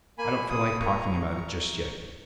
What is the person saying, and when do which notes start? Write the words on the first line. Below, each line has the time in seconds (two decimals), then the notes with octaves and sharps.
I don't feel like talking about it just yet.
0.18 A#3 G#5 B5
0.49 F4 G#4 B5 D#6
0.80 A#3 A#5 C#6
1.11 F4 G#4